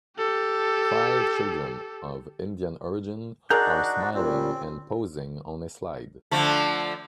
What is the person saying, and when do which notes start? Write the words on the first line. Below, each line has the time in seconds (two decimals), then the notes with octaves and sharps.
Five children of Indian origin are smiling and posing on a slide.
0.17 G4 A4
3.50 D4 D#4 F#4 G#4 A#4 D5 G6
4.14 A#2 G3 C4 C#4
6.31 D3 F3 A3